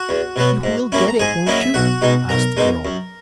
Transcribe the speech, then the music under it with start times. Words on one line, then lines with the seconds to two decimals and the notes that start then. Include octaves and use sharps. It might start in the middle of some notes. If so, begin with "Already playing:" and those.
"You will get it, won't you?" asked the girl.
Already playing: F#4 F#5
0.09 E2
0.36 B2 F#3 B3
0.63 G#2
0.92 F#3 A#3 C#4 E4
1.08 A#5
1.20 G#2 G#4 G#5
1.47 F#3 A#3 C#4 E4 D#5
1.61 E5
1.74 B1 F#4 F#5
2.02 B2 G#3 D#4
2.29 B1 A#4 A#5
2.57 B2 G#3 D#4
2.85 F#2